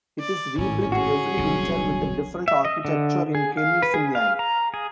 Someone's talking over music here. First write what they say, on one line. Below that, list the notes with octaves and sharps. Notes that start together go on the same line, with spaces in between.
It is rebuilt every winter with a different architecture in Kemi, Finland.
D5
G#1 A2 C#4
C#4 F#4 G#4
D#1 C2 D3 F#3
E5
D#5
D3
G#4
F5
B4
G#4
F5
A#5
G#4